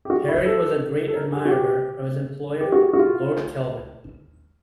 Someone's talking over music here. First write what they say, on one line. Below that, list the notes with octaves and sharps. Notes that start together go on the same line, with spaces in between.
Perry was a great admirer of his employer, Lord Kelvin.
G4
F#4
E4
A4
A4
A#4
G#4
F#4
G4
G4
F#4
F#4
F4